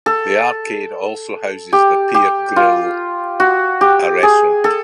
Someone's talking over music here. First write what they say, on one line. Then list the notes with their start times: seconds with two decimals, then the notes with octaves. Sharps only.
The arcade also houses the Pier Grille, a restaurant.
0.06 A4
1.73 G4
2.14 G4
2.56 F4
3.40 F#4
3.81 G4
4.23 G#4
4.64 A4